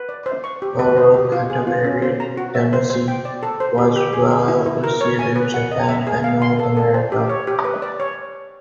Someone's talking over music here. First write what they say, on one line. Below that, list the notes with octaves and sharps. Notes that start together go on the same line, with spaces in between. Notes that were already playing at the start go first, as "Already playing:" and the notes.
Overall, "Katamari Damacy" was well received in Japan and North America.
Already playing: B4
D5
C5
C#6
G4
B4
C5
G4
F4
G#4
F4
C#4
C5
A#5
F#4
E5
C5
C5
G5
D5
A4
C5
G4
G4
G#4
G#4
E4
E4
A#4
C#5
G#5
B4
F#5
D#5
E5
G#4
F5
C6
A4
A4
C5
G4
C#5
G4
B4
D5
C#5